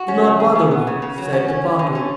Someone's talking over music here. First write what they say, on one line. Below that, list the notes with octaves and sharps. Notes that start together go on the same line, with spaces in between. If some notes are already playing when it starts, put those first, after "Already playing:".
"Do not bother me," said the potter.
Already playing: F#4
C#4
C#3
G#4
B3
B3
C#3
C#3
F#3
C#4
C#4
C#4
D3
C#4